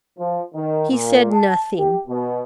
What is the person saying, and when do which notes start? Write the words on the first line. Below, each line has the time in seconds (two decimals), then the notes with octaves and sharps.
He said nothing.
0.18 F3
0.53 D#3
0.89 A#2
1.32 A5
1.77 G4
2.07 B2